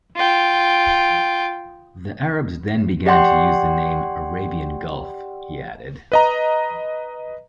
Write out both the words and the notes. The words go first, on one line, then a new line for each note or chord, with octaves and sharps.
The Arabs then began to use the name 'Arabian Gulf, he added.
F4 G5
G4 D5 F#5 G5 C6
B4 D#5 A#5